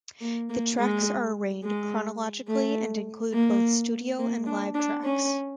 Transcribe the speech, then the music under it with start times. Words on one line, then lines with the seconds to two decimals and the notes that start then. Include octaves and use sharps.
The tracks are arranged chronologically and include both studio and live tracks.
0.21 A#3
0.49 A#3
0.79 G#3
1.64 G#3
2.48 A3
3.33 A#3
4.18 A#3
4.46 D4
4.75 D4
5.04 C#4